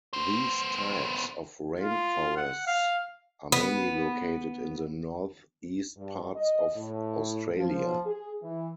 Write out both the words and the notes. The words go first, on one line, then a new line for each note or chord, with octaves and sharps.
These types of rainforests are mainly located in the north-east parts of Australia.
B3 C5
F4
F#5
F5
B3
G2
D#5
A2
F3
G#4
E3